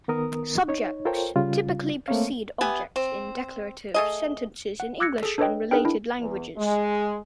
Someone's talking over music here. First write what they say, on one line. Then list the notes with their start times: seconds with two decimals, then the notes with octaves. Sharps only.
Subjects typically precede objects in declarative sentences in English and related languages.
0.08 D#3 B3 A#4 D#6
0.68 D#4 C#5
1.05 F4 A4 A#4 C5 C#5 G5
1.36 C#3 G3 F4
2.08 A3 A#3 C4 C5 C#5 F5
2.61 B3 G4 E5 G#5
2.96 C4
3.94 A3 G#4 D#5
4.80 F#5
5.00 D6 E6 F#6 G#6 A#6 C#7
5.23 G#4 A4
5.38 D4 A4 B4 C#5 D#5 G5
5.71 D4 D#4 G#4 A#4 B4 G5
5.85 D4 E4
6.18 E2
6.57 G#3